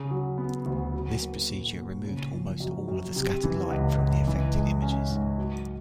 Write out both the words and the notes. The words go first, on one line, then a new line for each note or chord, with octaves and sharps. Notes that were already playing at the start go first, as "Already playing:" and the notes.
This procedure removed almost all of the scattered light from the affected images.
Already playing: C#3
F#3
B3
D2
F#3
A#3
A#2
A#2
C#3
F3
F#2
F#2
C3
E3
C#2
C#2
E3
G#3
C#4
G#2
F#3